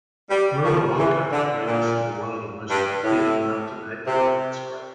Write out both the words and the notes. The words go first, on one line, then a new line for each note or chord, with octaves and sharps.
Muraoka made this into the most complete and up-to-date reference grammar.
G3
F3
E3
D3
A#2
G2
A2
C3